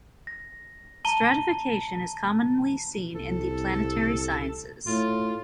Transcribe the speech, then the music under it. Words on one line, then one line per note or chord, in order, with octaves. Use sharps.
Stratification is commonly seen in the planetary sciences.
A#6
A5 A#5 D#7 G7
C2 A4
A2 F4